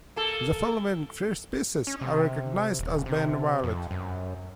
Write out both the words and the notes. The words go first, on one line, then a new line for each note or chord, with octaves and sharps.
The following three species are recognized as being valid.
A#3 A4
C#4
C3
D#1
C3
F2
F#2